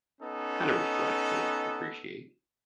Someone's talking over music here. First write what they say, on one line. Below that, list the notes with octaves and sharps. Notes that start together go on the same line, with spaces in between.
kind of reflect and appreciate.
B3 C#4 D#4 A4